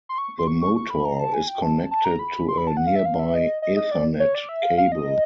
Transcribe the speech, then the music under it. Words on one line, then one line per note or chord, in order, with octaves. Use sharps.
The motor is connected to a nearby Ethernet cable.
C6
C#6
C6
C#6
C#6
C#6
B5
A#5
A5
G#5
G5
A5
A5
A#5
B5
C6
B5
A5
F#5
F5
E5
F5
E5
D#5
D#5
D#5
D5
C#5
D5
E5
F5
F5
D#5